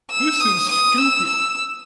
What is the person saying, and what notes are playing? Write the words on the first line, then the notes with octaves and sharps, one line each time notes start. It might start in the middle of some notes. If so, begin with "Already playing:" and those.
this is stupid.
E6
D#6
D#6
E6
E6